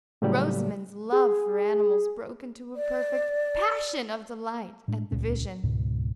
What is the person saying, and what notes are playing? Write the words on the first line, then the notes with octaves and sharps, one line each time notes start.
Rosamond's love for animals broke into a perfect passion of delight at the vision.
A2 C#3 F#3 G3 G4 D5
G#4
D5
A2 G#3 D4
D#1 C#2 A#2 C#4
C#2 G#2 B2